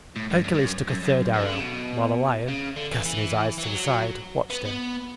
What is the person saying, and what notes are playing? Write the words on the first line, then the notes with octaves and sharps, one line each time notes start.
Hercules took a third arrow, while the lion, casting his eyes to the side, watched him.
A2
G2
F#2
G2
F#2
F#2
F#2
E3
D3
C#3
B2
C#3
D3
E3
E3
E3
F#3
B3
B3